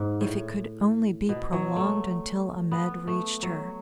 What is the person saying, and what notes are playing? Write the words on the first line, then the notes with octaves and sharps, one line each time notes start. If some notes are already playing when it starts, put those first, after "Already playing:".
If it could only be prolonged until Ahmed reached her.
Already playing: G#2
A2
B2
F#3
A3
B3
A3
F#3